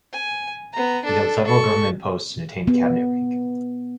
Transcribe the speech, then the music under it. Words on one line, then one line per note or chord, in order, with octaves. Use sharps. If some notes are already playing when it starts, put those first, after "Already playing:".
He held several government posts and attained Cabinet rank.
G#5
B3 A#5
D4 A4
A4 C#6
B3